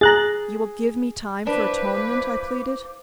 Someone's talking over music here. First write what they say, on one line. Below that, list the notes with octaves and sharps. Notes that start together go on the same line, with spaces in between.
"You will give me time for atonement?" I pleaded.
G#4 A#5 F#6 A6
D4 E4 B4 C5 F5 D6